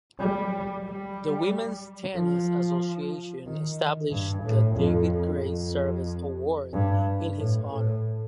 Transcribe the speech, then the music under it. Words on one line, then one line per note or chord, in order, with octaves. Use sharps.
The Women’s Tennis Association established the David Gray Service Award in his honor.
G3
G3
F3
D#3
G2
A2
F2
F2
G2
A2
A2